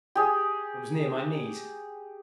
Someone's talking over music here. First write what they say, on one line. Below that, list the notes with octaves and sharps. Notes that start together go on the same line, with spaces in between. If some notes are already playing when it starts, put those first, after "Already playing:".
It was near my knees.
G4 G#4